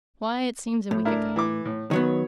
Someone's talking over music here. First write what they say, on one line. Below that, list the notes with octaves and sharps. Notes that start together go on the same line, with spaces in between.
Why it seems a week ago.
A2
D4 E4 A#4
E3 D6
A2
D#3 F#3 B3 C#5